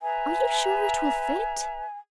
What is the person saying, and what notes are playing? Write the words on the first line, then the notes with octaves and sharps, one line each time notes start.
Are you sure it will fit?
B4 E5 G#5 A#5